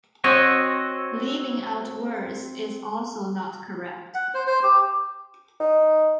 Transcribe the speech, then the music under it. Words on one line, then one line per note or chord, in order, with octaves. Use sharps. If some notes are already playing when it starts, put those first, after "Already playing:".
Leaving out words is also not correct.
C4 F#4 C#5 D#5
F#5
C5
C5
G4
D#4